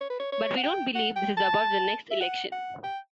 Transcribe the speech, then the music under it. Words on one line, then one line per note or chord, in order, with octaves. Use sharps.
But we don't believe this is about the next election.
C#5
B4
C#5
C#5
F#5
G5
F#5
G5
A5
E5
F#5
F#5
G5